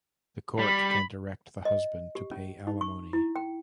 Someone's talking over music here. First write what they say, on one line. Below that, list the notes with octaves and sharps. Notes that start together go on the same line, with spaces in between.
The Court can direct the husband to pay alimony.
G3 B5
D#5
G4
C#4
D#4
C#6
E4
G5